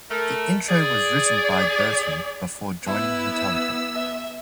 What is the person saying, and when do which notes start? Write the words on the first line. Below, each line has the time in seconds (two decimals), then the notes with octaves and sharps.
The intro was written by Burton before joining Metallica.
0.10 A3 A#4
0.69 G#4 D5
2.86 B3 E4 E6
3.95 E5